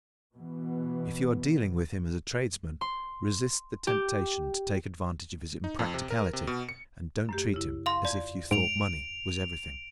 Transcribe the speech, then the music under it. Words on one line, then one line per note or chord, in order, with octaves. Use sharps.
If you are dealing with him as a tradesman, resist the temptation to take advantage of his impracticality and don't treat him as if you thought money was everything.
B2 E3 B3
C6
G4
D#4
F2
C3
A#4
C3
B2
C#7
F#2 A3 G4
C#3 E4
F5 C6
F2 D5 G#6
G#2 D7 F7